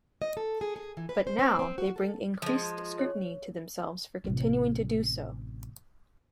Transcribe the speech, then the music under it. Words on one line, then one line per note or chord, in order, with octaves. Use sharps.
But now they bring increased scrutiny to themselves for continuing to do so.
D#5
A4
G#4
G#4
E3
B4
C5
C4
C4
F#4
A4
F3 G#3
C#5
A1 C3